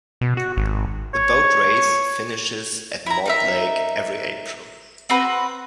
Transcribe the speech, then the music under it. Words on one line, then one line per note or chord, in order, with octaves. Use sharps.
The Boat Race finishes at Mortlake every April.
B2
F#4
G#1
C#5
E4 A#5
D#4 A#4 E5
C4 F#4 B4 A#5